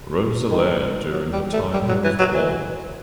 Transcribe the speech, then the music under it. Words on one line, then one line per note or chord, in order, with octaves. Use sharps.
Roeselare during the time he was born.
D#3
F#3
G3
A3
G3
F#3
E3
F#3
E3